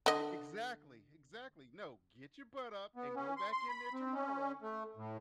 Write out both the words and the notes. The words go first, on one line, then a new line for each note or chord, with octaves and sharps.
E exactly. Exactly, "No, get your butt up and go back in there tomorrow,
D3 D#5
B3
C#4
C6
C6
B5
C4
C#4
A3
A2